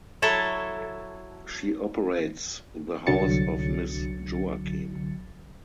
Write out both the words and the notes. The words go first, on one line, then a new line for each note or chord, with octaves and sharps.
She operates the House of Miss Joaquim.
F#3 E4 A4 C#5
C2 D3 F#3 A6 C#7